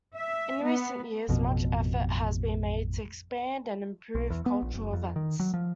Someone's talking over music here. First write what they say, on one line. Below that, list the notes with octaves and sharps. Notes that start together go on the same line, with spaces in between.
In recent years, much effort has been made to expand and improve cultural events.
E5
B3
A1 F2 B2
B1
E2
B3
A#1
F#1
F2
D#3
F#3
F3